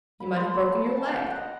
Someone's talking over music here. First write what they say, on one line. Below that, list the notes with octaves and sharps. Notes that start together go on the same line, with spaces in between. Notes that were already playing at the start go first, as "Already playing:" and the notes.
You might have broken your leg.
B5
C6
B5
A5
A5
G#5
G5
G5
F#5
D#5